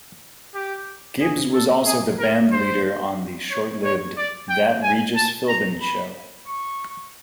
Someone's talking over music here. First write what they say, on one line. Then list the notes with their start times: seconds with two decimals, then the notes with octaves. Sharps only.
Gibbs was also the bandleader on the short-lived "That Regis Philbin Show".
0.55 G4
1.21 G#4
1.54 A4
1.86 G#4
2.19 A#4
2.52 C5
3.51 C#5
3.84 C#5
4.17 D5
4.49 G5
4.83 G#5
5.16 A5
5.48 A#5
5.81 B5
6.47 C#6